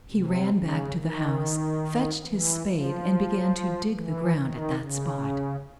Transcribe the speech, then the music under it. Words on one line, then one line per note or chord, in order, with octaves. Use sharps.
He ran back to the house, fetched his spade and began to dig the ground at that spot.
C3
C#3
D#3
E3
F3
E3
D#3
C#3